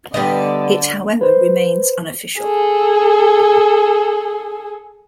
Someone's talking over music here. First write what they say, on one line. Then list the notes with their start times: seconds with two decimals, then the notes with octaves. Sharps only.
It however remains unofficial.
0.14 D3 G3 B3 D#5
1.21 B4 C5
2.40 G#4 A4